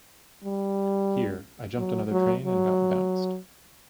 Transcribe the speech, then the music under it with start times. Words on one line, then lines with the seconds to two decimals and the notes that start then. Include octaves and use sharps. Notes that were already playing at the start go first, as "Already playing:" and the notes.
Here I jumped another train and got bounced.
0.44 G3
1.77 F#3
2.11 F#3
2.44 F#3